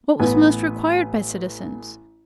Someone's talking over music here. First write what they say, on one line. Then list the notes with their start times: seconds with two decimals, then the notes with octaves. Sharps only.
What was most required by citizens?
0.19 A1 B3 B4 G#5